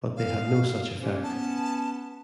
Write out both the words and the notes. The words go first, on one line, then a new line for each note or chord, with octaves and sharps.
But they have no such effect.
B3 F5
F3 A#3 C#4 G4
B3 A5